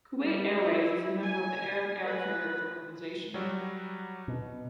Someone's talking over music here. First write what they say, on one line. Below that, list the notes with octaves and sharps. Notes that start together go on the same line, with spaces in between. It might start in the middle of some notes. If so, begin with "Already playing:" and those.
Kuwait Airways is a member of the Arab Air Carriers Organization.
G3
E4
G#5
B4
F#3 G3 F#4
B2